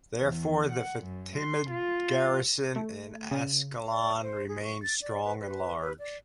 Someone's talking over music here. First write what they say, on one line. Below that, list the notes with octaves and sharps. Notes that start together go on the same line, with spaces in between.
Therefore, the Fatimid garrison in Ascalon remained strong and large.
E2
F#5
F#2
C6
F4
A3
C#3
D5
C5
G#4
C#6
A6
D5
B4
B4
B4
D5